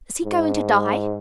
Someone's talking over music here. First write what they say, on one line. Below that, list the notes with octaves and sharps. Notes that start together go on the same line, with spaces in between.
"Is he going to die?"
G#2